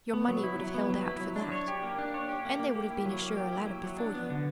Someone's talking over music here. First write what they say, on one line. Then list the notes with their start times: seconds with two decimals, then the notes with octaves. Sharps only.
Your money would have held out for that, and there would have been a surer ladder before you.
0.13 B3
0.28 F#3
0.44 E4
0.59 F#3
0.74 B3
0.90 F#3
1.06 E4
1.21 F#3
1.36 D4
1.52 C#5
1.68 G4
1.83 A#3
1.99 D4
2.14 C#5
2.29 G4
2.45 A#3
2.59 A#3
2.75 G4
2.90 E4
3.05 F#3
3.22 A#3
3.37 G4
3.53 E4
3.67 F#3
3.84 F#3
3.99 D4
4.14 B3
4.30 D3